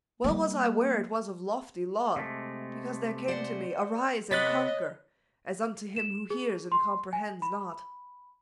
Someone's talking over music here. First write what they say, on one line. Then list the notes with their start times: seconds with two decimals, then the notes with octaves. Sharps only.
Well was I ware it was of lofty laud, Because there came to me, "Arise and conquer!" As unto him who hears and comprehends not.
0.24 G3 A#3
2.16 C3 G#3 A3
3.28 C5 D5 F#5
4.31 C3 B3 C#5 D#5 F#6 A6 B6
5.96 E7
6.30 G#4
6.72 C6
7.13 G#5
7.42 B5